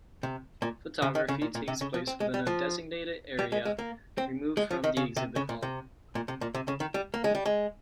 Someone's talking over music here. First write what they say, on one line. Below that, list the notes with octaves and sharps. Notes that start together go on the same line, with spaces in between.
Photography takes place within a designated area removed from the exhibit hall.
C3
A#2
C#3
D#3
C#3
A#2
A#2
C3
C#3
F3
C4
G#3
G3
F3
G3
G#3
G#3
A#3
C4
G#3
F3
D#3
C#3
C3
C#3
A#2
C3
A#2
C3
A#2
C3
C#3
D#3
G3
A#3
G#3
G3
G#3